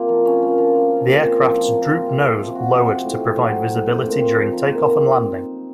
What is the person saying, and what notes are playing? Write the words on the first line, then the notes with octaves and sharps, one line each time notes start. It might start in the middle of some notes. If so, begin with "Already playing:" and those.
The aircraft's Droop-nose lowered to provide visibility during takeoff and landing.
Already playing: C3 A#3 F4
F3
C#4
A#3
F3
F3
C#4
A#2
C4
F3
A#2
A#2
C4
C3
C4
F3
F#4
C3
C4
A2
C4
F#3
F#4
A2
C4
A#2
C4
F3
D#4
A#2
C4